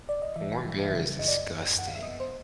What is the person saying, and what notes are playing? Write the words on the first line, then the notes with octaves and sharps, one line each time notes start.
Warm beer is disgusting.
D5
D#5
E3 E5
E3
C#3
F#2 D#5
D5
D#5
F#2
F#2 F#5
F5
E5
B3 D#5
C5